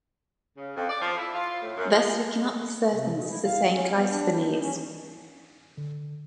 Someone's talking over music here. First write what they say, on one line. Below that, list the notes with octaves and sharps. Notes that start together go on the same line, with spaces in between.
Thus we cannot be certain this is the same Cleisthenes.
C#3
F2
D5
F3
E4
F4
A2
F#2
F3
C3
B2
E4
F5
C#4
B3
D4
D#4
C#4
D3